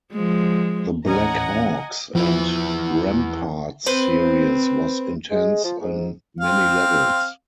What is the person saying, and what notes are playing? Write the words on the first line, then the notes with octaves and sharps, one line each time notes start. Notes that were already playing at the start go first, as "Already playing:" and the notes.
The Black Hawks and Remparts series was intense on many levels.
F3 G#3
D#2 A2 E3 C#4 D#5 F#5 G#5 A#5
E2 F3 E4 B4
C4 B4 C5
G#3
F3
G#2
C4 F5